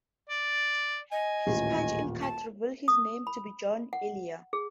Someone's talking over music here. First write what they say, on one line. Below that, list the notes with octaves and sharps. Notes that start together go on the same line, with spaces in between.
His punch-in card reveals his name to be John Earle.
D5
D#5 G#5
D#1 A1
A5
D#6
B5
F#5
G#4